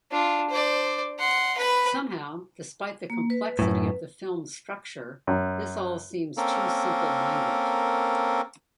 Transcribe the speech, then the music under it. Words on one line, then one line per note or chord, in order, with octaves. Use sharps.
Somehow, despite the complexity of the film's structure, this all seems too simple-minded.
D4 F4
C5 D5
F#5 C6
B4 B5
A#3
B4
F#2 A2
F#2
A#3 C4 C#4 A4 A#4